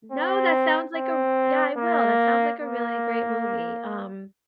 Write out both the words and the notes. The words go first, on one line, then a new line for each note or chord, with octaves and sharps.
No, that sounds like a r yeah, I will. That sounds like a really great movie, um,
C4
C4
A#3
A#3